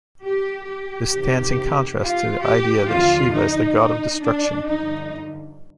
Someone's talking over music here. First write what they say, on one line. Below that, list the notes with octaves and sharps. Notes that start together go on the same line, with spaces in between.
This stands in contrast to the idea that Shiva is the God of destruction.
G4
G4
F2 C3 D#3
F4
G4
D#2 D3 F3 F4
D#4
D#4
D4
G2 D3 F3 D#4